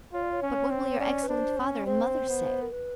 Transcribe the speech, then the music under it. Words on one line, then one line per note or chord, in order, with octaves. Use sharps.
But what will your excellent father and mother say?
F4 C#5
D5
C#5
C#4
C4
C#5
C#4 D5
B4
D4 C5
C#4
C4 C5
B3
A#4
B4